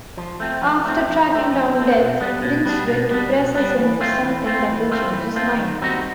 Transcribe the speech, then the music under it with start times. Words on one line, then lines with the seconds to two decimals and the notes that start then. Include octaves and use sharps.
After tracking down Death, Rincewind presses him for something that will change his mind.
0.17 F3
0.40 A3 C4
0.62 F3
0.85 A3 C4
1.08 F3
1.30 A3 C4
1.52 F3
1.75 C4
1.80 A3
1.98 B2
2.20 G3 B3 D4
2.42 B2
2.65 G3 B3 D4
2.88 B2
3.11 G3 B3 D4
3.33 B2
3.55 G3 B3 D4
3.78 E3
4.01 A3 C4 F4
4.24 E3
4.46 A3 C4 F4
4.69 E3
4.91 A3 C4 F4
5.13 E3
5.36 A3 C4 F4
5.58 D#3
5.81 G3 C4 D#4 F#4